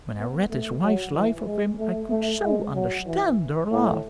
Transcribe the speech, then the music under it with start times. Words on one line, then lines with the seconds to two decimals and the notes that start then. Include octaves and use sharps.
When I read his wife's life of him I could so understand her love!
0.19 B3
0.50 A3
0.83 F#3
1.15 E3
1.46 G#3
1.79 A3
2.10 A3
2.43 G#3
2.75 F#3
3.07 E3
3.71 A2